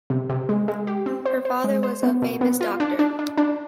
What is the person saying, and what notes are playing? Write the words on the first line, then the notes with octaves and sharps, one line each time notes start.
Her father was a famous doctor.
C3
C3
G#3
G#3
G4
C4
C5
C5
G#3
C5
B3
B2
B3
F4
D4
D4
D4
D4